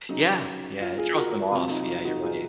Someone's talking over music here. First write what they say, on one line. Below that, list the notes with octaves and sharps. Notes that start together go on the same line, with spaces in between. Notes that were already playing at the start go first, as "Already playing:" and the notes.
Yeah, yeah. It throws them off. Yeah, you're right.
C#3 F#3 C#4 D#4
F4
F4 G#4
F#4 A#4
C3 F#3 C4 F4
D#4
F4
D#4 F#4
F4 G#4